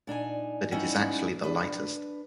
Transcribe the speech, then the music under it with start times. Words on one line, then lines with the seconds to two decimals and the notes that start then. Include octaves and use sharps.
But it is actually the lightest.
0.07 A#2 D4 D#4 G#5
0.72 G3 B3 C#4 D#4 E4
1.44 D4 B4